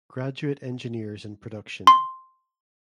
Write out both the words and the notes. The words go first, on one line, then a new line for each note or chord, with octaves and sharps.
Graduate Engineers in Production.
C6